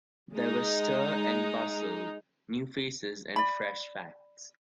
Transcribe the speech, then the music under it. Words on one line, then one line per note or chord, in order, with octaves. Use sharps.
There were stir and bustle, new faces, and fresh facts.
G#3 D#4
D5 B5